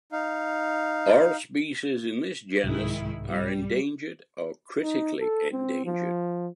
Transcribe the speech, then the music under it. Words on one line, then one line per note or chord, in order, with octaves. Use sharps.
All species in this genus are endangered or critically endangered.
D#4 F5
C2 G#2 D#3 G#3 E4
G3
D#4
A4
C4
F3